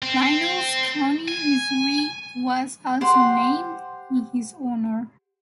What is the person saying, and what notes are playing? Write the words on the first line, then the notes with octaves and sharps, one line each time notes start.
Reynolds County, Missouri was also named in his honor.
C4
G#5
G4 C5 F#5 C6